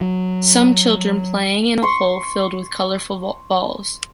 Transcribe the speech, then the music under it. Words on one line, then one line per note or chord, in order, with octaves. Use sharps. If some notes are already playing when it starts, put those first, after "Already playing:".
Some children playing in a hole filled with colorful balls.
F#3
C6 C#6